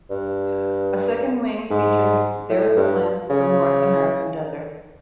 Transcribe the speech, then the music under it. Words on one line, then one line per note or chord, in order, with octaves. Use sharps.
A second wing features xeric plants from North American deserts.
G2
G#2
A2
G2
C#3